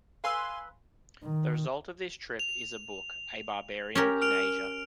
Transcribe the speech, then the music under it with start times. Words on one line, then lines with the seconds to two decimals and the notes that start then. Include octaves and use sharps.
The result of this trip is the book "A Barbarian in Asia".
0.24 B4 F5 G#5 C6 E6
1.23 D#3
2.39 F7
3.95 C#4 G4 A#4
4.21 F6 D7 F7